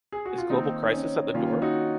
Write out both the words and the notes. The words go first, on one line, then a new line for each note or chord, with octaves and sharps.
Is global crisis at the door?
G#4
F#4
F4
D#3 A#3 C4 D#4
D#4
C#4
D#3 A#3 C#4 F4
D#4 F#4